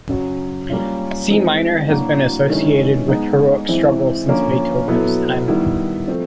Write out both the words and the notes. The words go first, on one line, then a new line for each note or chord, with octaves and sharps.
C minor has been associated with heroic struggle since Beethoven's time.
F#2 C#3 F#3
G3 A#3 C#4 F4
E3 G#3 C4 D#4
A2 F#3 A#3 D4 F#4
G2 D#3 G#3 C#4 E4
G#3 B3 D#4
E3 G#3 C4 E4
D3 F3 A#3 C#4 F4
B2 F#3 B3 E4 A4
D#3 G3 B3 E4
F3 A3 C4